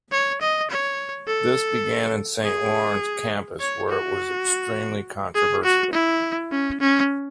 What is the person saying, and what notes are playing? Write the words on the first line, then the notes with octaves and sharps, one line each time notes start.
This began at the Saint-Lawrence campus, where it was extremely controversial.
C#5
D#5
C#5
A4
G#4
C#5
F#4
G#4
F#4
E4
C#4
C#4